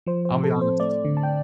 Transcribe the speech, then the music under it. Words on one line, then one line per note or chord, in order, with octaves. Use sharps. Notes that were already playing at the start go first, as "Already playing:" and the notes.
I'll be honest.
F3 C5
C5
A2
A4
C4
C5
A3 D5
D3
A5
G5